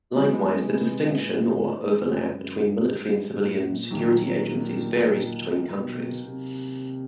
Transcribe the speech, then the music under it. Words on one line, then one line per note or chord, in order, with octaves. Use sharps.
Likewise, the distinction, or overlap, between military and civilian security agencies varies between countries.
E3 F#3 G#3 B3
C3
A#2
A2
G#2
F#2
F#2
G2
G#2
A2
A#2
D#2 D#3 F#3
B2
C3